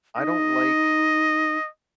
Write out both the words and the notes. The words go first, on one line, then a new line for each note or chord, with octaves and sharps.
I don't like
D#4 D#5